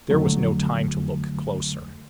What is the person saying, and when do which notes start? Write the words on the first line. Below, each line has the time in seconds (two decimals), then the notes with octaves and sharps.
There was no time to look closer.
0.10 F2 D3 F#3 A3